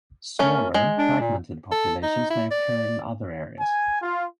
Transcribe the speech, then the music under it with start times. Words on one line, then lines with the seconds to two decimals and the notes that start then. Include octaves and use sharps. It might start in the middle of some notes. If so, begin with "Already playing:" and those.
Smaller, fragmented populations may occur in other areas.
0.39 A3 C#4 A#4
0.74 G#3
0.98 D4
1.20 A#2
1.72 A4
2.03 D#4
2.30 E4
2.51 D5
3.59 G#5
4.02 F4